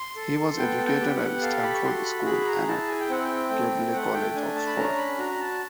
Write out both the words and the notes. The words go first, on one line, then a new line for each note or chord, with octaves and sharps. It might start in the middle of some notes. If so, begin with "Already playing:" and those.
He was educated at Stamford School and at Keble College, Oxford.
Already playing: C6
A4
B3 G5
G5
G4
F#5
A4 F5
B5
C#6
F#4 C6
B5
G#4 B5
A#5
E4 A5
G#5
G5
C4 F#5
G5
A3
A3 F#5
G5
D4 G#5
A5
B5
C#4 A#5
B5
F#4 A#5
A5